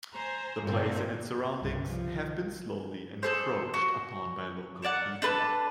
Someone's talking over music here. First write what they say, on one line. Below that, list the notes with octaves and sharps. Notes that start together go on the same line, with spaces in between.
The place and its surroundings have been slowly encroached upon by local people.
C5 G#5 A#5
G2 A#2 D3 D#3 C4
C2 G2
F3
G#4 A4 C5
F#4
A4 A#4 D5 F#5
D4 A4 B4 A5